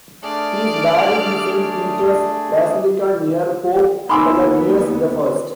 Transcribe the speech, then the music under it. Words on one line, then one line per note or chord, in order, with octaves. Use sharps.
He is buried in Saint Peter's Basilica near Pope Pelagius the First.
A3 D4 G#4 D5 F6
D#2 B3 D#4 G#5 B5 C6 D6 E6